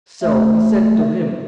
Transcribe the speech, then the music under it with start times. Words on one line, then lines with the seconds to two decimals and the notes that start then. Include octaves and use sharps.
So he sent to him.
0.23 A3